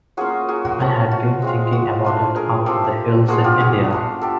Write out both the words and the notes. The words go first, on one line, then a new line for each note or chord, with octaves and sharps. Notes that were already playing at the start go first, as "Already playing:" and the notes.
I had been thinking about it up in the hills in India.
F#3 A#3 C#4 F4 F#4 G#4
F#4 G#4
F#4
F3 A3 C#4
F#4
G#3 C4 F4
F#4
A3 D4 F4
G#4 A#4
A3 C4 F4 G4 A4
G#3 B3 D4 F4 F#4 G#4
F4 G4
F#4 G#4
A3 D4 F4
G4 A4